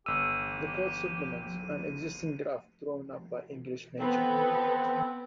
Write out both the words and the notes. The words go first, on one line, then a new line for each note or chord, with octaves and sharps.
The code supplements an existing draft drawn up by English Nature.
G1 G4 E6 D#7
B3 C4 A4